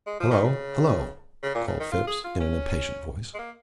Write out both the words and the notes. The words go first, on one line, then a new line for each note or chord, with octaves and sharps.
"Hello, hello!" called Phipps in an impatient voice.
G#3
F3
D#3
C#3
C#3
A#2
C#3
D#3
F4
G#4
F4
C#4
G#3
A#3